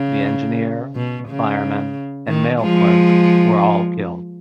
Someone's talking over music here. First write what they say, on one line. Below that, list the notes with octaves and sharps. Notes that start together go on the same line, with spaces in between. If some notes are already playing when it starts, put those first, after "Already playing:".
The engineer, fireman, and mail clerk were all killed.
Already playing: C#3
B2
C#3
D#3
F3 G#3